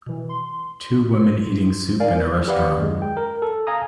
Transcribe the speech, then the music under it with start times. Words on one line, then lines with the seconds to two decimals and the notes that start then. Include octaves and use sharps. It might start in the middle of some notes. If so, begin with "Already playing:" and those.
Two women eating soup in a restaurant.
0.06 B2 E3
0.29 C6
2.00 A#4 D5 F5 G#5
2.48 G4 B4 D5 F5 F#5
2.78 F#2 E3 G#3
3.02 G5
3.17 A#4
3.42 A4
3.67 F5 G#5 A#5 D#6